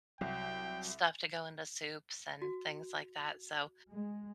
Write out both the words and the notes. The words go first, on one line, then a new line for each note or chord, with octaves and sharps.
stuff to go into soups and things like that, so
C2 F#3 G5
F#4
G#3